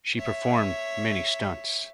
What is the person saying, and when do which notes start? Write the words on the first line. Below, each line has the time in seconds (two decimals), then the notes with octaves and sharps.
She performed many stunts.
0.14 C#5 E5